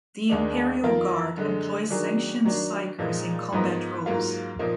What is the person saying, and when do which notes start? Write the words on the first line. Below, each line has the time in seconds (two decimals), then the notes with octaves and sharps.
The Imperial Guard employs sanctioned psykers in combat roles.
0.30 D#2 D#3 G#3 D4
0.83 F2 D#3 A#3 F4 A#4
1.37 F#2 D3 G#3
1.90 D#3 F#3 D4 G#4
2.44 D#3 F#3 D4
2.99 A#2 F3 G#3 D#4
3.52 G#2 F3 B3 D#4 A#4
4.06 G#2 F#3 A#3 F4
4.59 A#2 F3 A#3 D#4